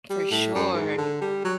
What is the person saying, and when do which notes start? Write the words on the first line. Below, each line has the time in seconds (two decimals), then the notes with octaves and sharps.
For sure.
0.10 G3
0.31 A2
0.55 F#2
0.74 G#2
0.98 D3
1.22 G3
1.44 F#3